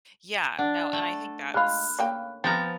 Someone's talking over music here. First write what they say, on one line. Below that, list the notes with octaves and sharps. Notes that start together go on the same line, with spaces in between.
Yeah, no, and I think that's
D4 F#5
A3
G#3 F4 B5 F6 F#6
C#3 A#3 G5
F3 B3 C4 A#5 F6 G6 A6